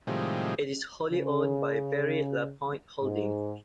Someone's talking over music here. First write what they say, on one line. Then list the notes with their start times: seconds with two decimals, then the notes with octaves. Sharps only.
It is wholly owned by Barry Lapointe Holding.
0.07 A2 C3 D#3 F3 G3 G#3
1.11 C#3
3.01 G#2